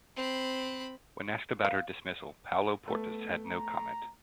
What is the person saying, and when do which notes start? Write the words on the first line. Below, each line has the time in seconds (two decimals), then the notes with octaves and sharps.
When asked about her dismissal, Paulo Portas had no comment.
0.16 C4 B5
1.65 F5
2.88 A3 B3
3.46 A#5